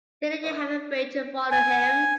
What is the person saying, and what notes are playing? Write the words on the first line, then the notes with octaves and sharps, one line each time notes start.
Didn't you have a brain to follow him?
G#5